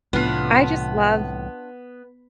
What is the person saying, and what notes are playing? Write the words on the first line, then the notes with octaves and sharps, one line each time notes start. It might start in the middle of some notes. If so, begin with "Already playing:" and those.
I just love
C2 A2 C3 E3 B3 D4 F4